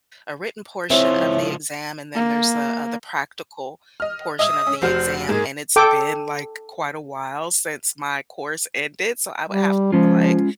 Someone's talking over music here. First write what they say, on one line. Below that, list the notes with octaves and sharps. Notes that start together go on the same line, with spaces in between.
a written portion of the exam, and then there's a, uh, the practical portion of the exam, and it's been, like, quite a while since my course ended, so I would have to, like
C#2 F3 C4 E4 G#4 C5 C#5 E5
A#3
D#5 F6
D#5 E5 D#6 E6
C#4
F1 F#4 C5 F6
G#2 A#3 G#4
A4 G5 D6
G3
F3 G#3 C#4 F4